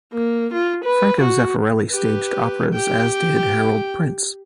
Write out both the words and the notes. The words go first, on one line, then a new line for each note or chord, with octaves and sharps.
Franco Zeffirelli staged operas as did Harold Prince.
A#3
F4
B4
F#4
G4 B4
G4 G5